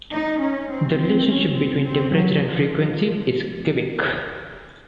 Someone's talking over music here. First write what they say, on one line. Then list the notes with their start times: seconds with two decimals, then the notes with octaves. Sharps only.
The relationship between temperature and frequency is cubic.
0.12 D#4
0.41 C#4
0.70 C4
0.99 C4
1.28 C#4
1.56 C4
1.85 C4
2.13 F#3
2.43 F3